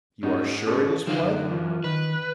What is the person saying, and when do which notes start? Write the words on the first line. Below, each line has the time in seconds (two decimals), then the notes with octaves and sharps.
"You are sure it is blood?"
0.23 G#2 C#4 D#4 F#4
0.67 C#4 G#4 A4
1.07 D3 F3 D#4 F4 G#4
1.20 F#2
1.50 E3 F4
1.84 D#3 B4